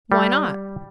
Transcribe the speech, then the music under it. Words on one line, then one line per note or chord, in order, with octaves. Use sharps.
"Why not?"
G3